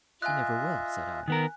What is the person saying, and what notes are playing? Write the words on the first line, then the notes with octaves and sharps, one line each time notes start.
"She never will," said I.
F4 D#5 E5 G#5 F#6
D#3 B3 A#4